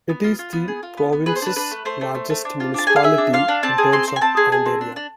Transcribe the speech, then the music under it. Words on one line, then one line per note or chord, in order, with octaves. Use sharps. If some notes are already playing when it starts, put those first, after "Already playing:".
It is the province's largest municipality in terms of land area.
B3
F4
F4
B3
G#4
F4
B3
B3
G#4 B4
C5
D4 B4
D4 B4
A3
A3 C5
A3
A3
A3
D4
F4
D4 A5
G#4 G#5
F5
G#4 E5
D4
F4 F5
D4
C4 A5
G#4
C4 C6
C4
G#5
C4 A5
G#4
G#4
C4
D4
D4